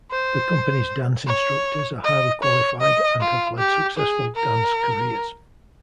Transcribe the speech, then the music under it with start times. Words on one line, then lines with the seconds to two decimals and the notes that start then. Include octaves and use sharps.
The company's dance instructors are highly qualified and have led successful dance careers.
0.11 C5
1.27 C#5
2.04 D#5
2.42 C#5
2.81 D#5
3.20 F4
3.59 G4
3.97 G#4
4.36 A#4